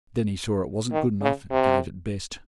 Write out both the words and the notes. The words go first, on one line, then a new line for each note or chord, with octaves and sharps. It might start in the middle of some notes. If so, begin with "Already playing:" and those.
Then he saw it wasn't good enough, and gave it best.
D#3
C#3
C3